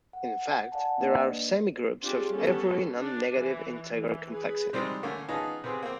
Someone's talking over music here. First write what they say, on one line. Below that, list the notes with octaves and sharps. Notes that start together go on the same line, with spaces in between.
In fact, there are semigroups of every non-negative integer complexity.
F#5
D5 F5 F#5 G#5 A5
A#3 D4 B4 D5 D#5
C4 D4 F4 G4 G#4
G3 B3 C#4 G4 A4
D4
E3
E3
G#4 B4
C3 G3 G#3 C4 D#4
D3 A3 A#3 C#4
B3 C#4 D#4 F4 G#4 A5
C3 B3 C4 G#4
A#3 C4